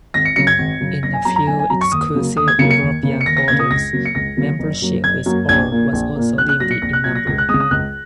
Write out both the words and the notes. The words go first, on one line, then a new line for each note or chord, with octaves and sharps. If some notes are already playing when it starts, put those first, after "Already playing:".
In a few exclusive European orders, membership is or was also limited in number.
G#1 A#6
C#7
F#2 C#3 C#7
G#6
G#1
F#2 C#3
F#1 A#6
G#5
F#2 F#3 A#5
A#5
F#1 G#5
G#5
F#2 F#3 A#5
C#6
D#2 D#6
C#3 F#3 A#3
D#2 D#6
G#6
C#3 F#3 A#3 C#7
C#7
D#2
C#3 A#3
C#7
D#2 A#6
A#6
C#3 A#3 G#6
D#6
C#2 A#6
C#3 F#3 A#3
C#7
C#2 A#6
C#3 F#3 A#3
F#1
F#2 F#3 A#3
F#1 G#6
F#2 F#3 A#3
A#1 G#6
A#2 A#3
A#1
A#2 A#3
A#1 F#6
F#6
A#2 F#3 A#6
C#7
A#1 A#6
F#6
A#2 F#3 G#6
A#6
C#2 A#6
F#6
G#3 D#6
C#3
D#6
C#2 F#6